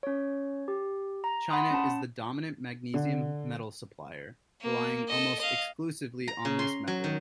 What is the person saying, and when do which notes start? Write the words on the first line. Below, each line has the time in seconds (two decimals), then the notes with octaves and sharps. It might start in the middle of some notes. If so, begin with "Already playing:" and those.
China is the dominant magnesium metal supplier, relying almost exclusively on this method.
0.03 C#4 C#5
0.68 G4
1.24 A#5
1.50 F#5 B5 C6 D#6
1.71 C#4 A5
2.94 D3
4.61 A#3
5.08 A4 D#5
5.39 D#5 F5
6.28 A#5
6.45 C#3
6.59 C6
6.88 F#3
7.04 D#3